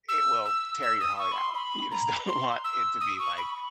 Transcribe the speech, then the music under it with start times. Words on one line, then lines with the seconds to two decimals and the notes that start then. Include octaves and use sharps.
it will tear your heart out. You just don't want it to be like,
0.08 E6
0.45 E6
0.82 E6
1.00 D#6
1.18 C#6
1.32 B5
1.37 C6
1.55 B5
1.91 A#5
2.28 C6
2.64 E6
3.01 D#6
3.19 C#6
3.38 B5